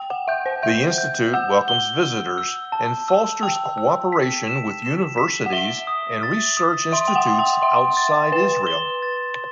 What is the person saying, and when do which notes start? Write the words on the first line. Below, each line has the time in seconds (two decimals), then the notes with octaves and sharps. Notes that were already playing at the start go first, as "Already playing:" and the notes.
The Institute welcomes visitors and fosters cooperation with universities and research institutes outside Israel.
Already playing: G5
0.10 F#5
0.28 E5 G6
0.46 C5
0.63 E5 G6
0.98 G6
1.34 F#5 E6
1.68 G7
2.03 G7
2.38 E6
2.72 A5
3.08 E6
3.43 G5 E6
3.78 E6
4.12 B6
4.47 E7
4.82 E7
5.18 B6
5.46 F#5
5.53 E5 G7
5.87 D#6
6.23 A6
6.57 D#6
6.92 E5 C6
7.08 G5
7.15 F#5
7.27 C6
7.39 G5
7.62 E5 C6
7.97 A6
8.32 B4 E7
8.67 G7
9.02 A6